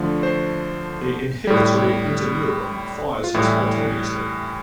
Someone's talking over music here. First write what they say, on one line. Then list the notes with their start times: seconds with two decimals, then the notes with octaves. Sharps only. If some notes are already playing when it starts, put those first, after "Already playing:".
The inhibitory interneuron fires spontaneously.
Already playing: D3 F3 A3
0.23 C5
1.47 A2 G3
3.24 F4
3.34 A2 E3 G3 E4